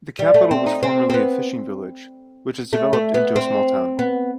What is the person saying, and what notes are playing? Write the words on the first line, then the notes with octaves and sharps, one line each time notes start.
The capital was formerly a fishing village which has developed into a small town.
G3
A3
C4
D#4
C4
C4
B3
A3
A3
B3
C4
B3